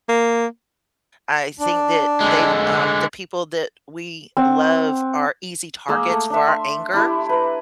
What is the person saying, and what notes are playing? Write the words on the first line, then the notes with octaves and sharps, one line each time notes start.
I think that they, um, the people that we love are easy targets for our anger,
A#3
D4
D3 G#3
C4 F#5
G#3 A#3 E6
A3
D4 E5
C6
D4 E4 G4
B4 A#5